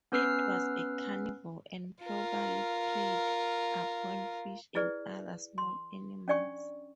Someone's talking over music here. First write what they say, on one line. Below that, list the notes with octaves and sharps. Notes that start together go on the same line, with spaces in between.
It was a carnivore and probably preyed upon fish and other small animals.
B3 C#4 B4 E6 F6 C7
F4 A#4
E4 G#4 B4 D5
C6
C#4 D4 D5 G5 C#6